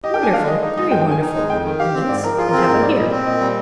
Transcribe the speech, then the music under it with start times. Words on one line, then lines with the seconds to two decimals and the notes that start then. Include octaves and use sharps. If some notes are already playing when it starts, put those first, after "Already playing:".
Wonderful, very wonderful!--And this--what have I here?
0.04 G4 D#5
0.14 G5
0.18 D4 G#5
0.33 D#3 F5
0.47 G#3 D#5
0.62 D#4 D#5
0.77 G#3 D#5
0.91 G2 G5
1.02 G5
1.06 D#3
1.11 G#5
1.21 D#4
1.35 G#3
1.50 F2 G5
1.64 D#3
1.79 G4 F5
1.94 C4
2.09 G#2 D5
2.23 F3 A#4
2.38 F4 G#4
2.48 A#4
2.52 C4
2.58 G#4
2.68 G#2 A#4
2.82 G3 D5
2.97 A#2 D#5
3.11 C4
3.26 A#2 D#5
3.40 G3